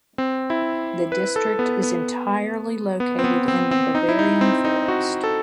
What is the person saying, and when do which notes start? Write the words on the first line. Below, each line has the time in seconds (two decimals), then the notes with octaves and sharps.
The district is entirely located in the Bavarian Forest.
0.18 C4
0.50 E4
1.12 B4
1.36 A4
1.59 B3
1.83 B3
3.00 B3
3.19 C4
3.24 B3
3.48 C4
3.71 C4
3.95 D#4
4.09 E4
4.19 D#4
4.41 C4
4.65 D#4
4.88 F#4
5.24 A4